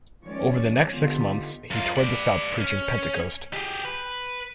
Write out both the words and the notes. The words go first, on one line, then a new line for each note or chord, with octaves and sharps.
Over the next six months, he toured the south preaching "Pentecost".
D#3 F3 G#3 C#4 C#5 D5
D3 B3 D#4 F4 G4
F#2 F4
B4 D5
C#4
G4 G#4
B4